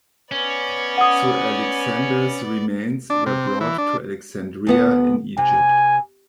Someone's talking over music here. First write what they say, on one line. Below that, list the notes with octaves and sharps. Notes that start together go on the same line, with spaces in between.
So Alexander's remains were brought to Alexandria in Egypt.
B3 C#4 D5
F#5 D#6
D4
C3
C4
E3
D4
D2 B3 F#5
C3 G#5